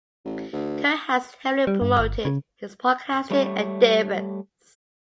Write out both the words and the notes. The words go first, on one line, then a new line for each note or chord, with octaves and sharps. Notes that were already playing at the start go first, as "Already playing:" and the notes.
Curry has heavily promoted his podcasting endeavors.
A1
D2
G3
G2
G1
C#3
G3 A3 C#5